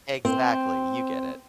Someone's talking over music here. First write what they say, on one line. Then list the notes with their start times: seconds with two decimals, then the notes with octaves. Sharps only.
Exactly, you get it.
0.25 C4